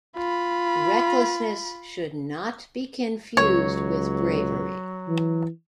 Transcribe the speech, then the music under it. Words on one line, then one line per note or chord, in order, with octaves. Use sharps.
Recklessness should not be confused with bravery.
F4 B5
C#2 F#3 C#5
E3